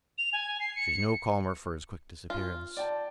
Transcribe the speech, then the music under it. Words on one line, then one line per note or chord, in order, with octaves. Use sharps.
She was no calmer for his quick disappearance.
F7
G#5
C7
C#7
F4
D5 G5 A5